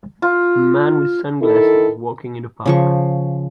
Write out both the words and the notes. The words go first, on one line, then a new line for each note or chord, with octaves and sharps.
A man with sunglasses walking in a park.
F4
D#3 E4 A4
C#3 F3 C#6